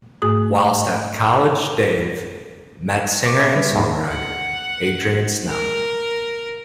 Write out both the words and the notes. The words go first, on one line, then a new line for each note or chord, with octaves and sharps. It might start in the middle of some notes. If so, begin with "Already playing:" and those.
Whilst at college Dave, met singer and songwriter Adrian Snell.
G#2 A3 G#4 D#6
C#6 D6
E5
G3 B4 B6
D#2 G#2
F#5
A#4